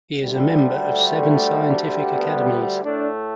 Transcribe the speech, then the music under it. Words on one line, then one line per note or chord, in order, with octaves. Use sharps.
He is a member of seven Scientific Academies.
D2 D3 G3
A3
B3
A2 A3 D4